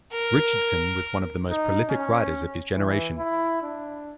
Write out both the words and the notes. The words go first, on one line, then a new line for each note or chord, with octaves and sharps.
Richardson was one of the most prolific writers of his generation.
A#4
D#4
C#4
E3
E4
D4